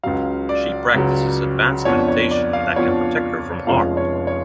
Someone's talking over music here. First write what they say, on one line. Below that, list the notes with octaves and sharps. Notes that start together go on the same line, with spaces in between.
She practices advanced meditation that can protect her from harm.
C#2 C#3 F#3 F5
D5
C#2 C#3 F#3
F2 F3 B3 D4 C#5
C#5
D5
F5
F2 F3 B3 D4 C#5
F1 F2 F3 G#3 C#4 F5
C#5
C#5